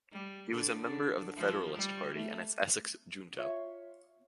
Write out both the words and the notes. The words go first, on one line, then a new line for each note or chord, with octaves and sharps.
He was a member of the Federalist Party and its Essex Junto.
G3
D3
D3
F3
G3
A3
F4 C#5 E5